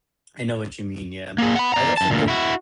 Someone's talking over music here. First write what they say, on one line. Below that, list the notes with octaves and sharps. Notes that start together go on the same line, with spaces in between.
I know what you mean, yeah. I also think
A#3 G#4
F#5 B5
D5 A#5
F#2 A5
D2 A#2
E4 F#4